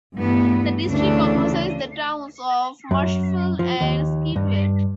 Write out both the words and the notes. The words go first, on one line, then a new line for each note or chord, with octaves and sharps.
The district comprises the towns of Marshfield and Scituate.
G2 E3 A3 B3
D2 C#3 E3 A3 D4 A4
F#2
F3
D#2
G2